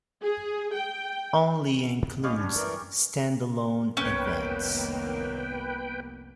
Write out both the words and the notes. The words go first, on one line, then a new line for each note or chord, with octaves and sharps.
Only includes standalone events.
G#4
G5
G#2 D#3
G3 B3 C#4 D#5 F5
A2 D4
F#2 E3 A#4 D5
F1 C2 D#3 A#3 B3 C#4 B4 G5